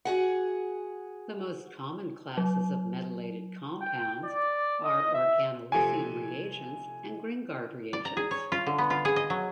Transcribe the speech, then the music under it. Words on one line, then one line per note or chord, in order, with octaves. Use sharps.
The most common classes of metallated compounds are organolithium reagents and Gringard reagents.
F#4 G#4 F#5
F#3
G5
D5
D#5
E5
F2 C3 A3 G#5
D5
A#5
G#4
C#5
F4
D3
B3
F4
G#4
D#5
F#3